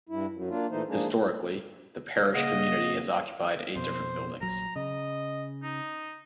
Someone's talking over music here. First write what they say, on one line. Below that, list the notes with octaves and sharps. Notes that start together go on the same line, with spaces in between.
Historically, the parish community has occupied eight different buildings.
G2 E4
F#2
A#3 D4 F4
A#2 E3 A3 D#4 C5
F3 G#3 A#3 D4 D#4 G#4
A#1 C#3 D#5 F#5
F2 B2 C5
A#1 F#3 A#5
C#3 D#5
D#4